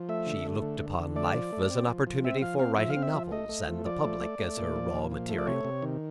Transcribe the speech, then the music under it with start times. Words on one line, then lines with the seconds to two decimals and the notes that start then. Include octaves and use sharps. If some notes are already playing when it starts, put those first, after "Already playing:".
She looked upon life as an opportunity for writing novels and the public as her raw material.
Already playing: F3
0.09 A3 E5
0.27 D3
0.45 A3
0.62 D3
0.81 D3
0.99 D3
1.16 A3 D5
1.34 F3
1.53 A3
1.70 C4
1.88 F3
2.07 F3
2.24 C4 E5
2.42 F3 F5
2.59 C4 F5
2.78 F3 E5
2.90 F5
2.96 C4
3.02 E5
3.14 F3
3.31 A3 D#5
3.49 A3
3.67 F3
3.86 F3 D5
4.04 A3
4.21 A3
4.39 A3
4.57 A#2
4.76 F3
4.93 A#2
5.12 F3
5.29 A3
5.38 D5
5.47 C3 C#5
5.64 C3
5.82 D#3